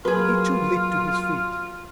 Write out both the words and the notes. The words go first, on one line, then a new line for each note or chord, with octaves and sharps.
He, too, leapt to his feet.
F#3 A#3 F4 G#4 B4